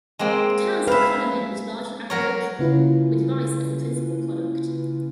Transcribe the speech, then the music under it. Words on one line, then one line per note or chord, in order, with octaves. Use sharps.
The town's economy is largely agricultural, with rice as the principal product.
G#3 A#3 C4
B4 E5 F5
F#3 A#4 C#5
C#3 A#3 C#4 E4 F4 B4